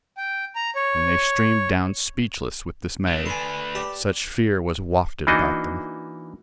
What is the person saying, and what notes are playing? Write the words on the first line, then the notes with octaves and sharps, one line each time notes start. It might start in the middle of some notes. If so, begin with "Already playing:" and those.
And they streamed down speechless with dismay; such fear was wafted about them.
G5
A#5
C#5
A3 D4
B4 G#5 C6
G4 D5 A5
E3 A#3 D4 D#4 F#4 D#5